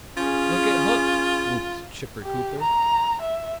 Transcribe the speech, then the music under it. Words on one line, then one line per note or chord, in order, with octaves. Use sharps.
"Look at Hook!" whooped Chipper Cooper.
C#4 F4 G#4
G4
A#5
E5